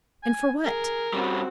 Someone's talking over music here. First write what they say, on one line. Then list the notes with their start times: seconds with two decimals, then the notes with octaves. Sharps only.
"And for what?"
0.23 G#5
0.65 G#4 A#4
1.13 G3 C4 C#4 F#4